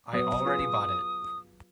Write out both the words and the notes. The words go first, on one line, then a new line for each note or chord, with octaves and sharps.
I already bought it.
F#3 B3 D#6
F4 G#4 B4